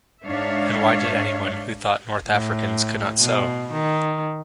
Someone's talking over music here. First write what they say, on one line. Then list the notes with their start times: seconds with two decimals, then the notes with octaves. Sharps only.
And why did anyone who thought North Africans could not sew?
0.25 G#2 D4 C#5 E5 F5
2.29 A2
3.21 B2
3.72 D#3